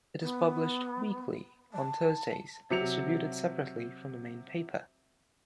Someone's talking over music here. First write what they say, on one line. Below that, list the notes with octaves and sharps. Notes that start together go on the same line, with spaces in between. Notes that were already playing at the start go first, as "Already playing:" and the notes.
It is published weekly, on Thursdays, and distributed separately from the main paper.
B3
A5
C3 F#3 C#7 F7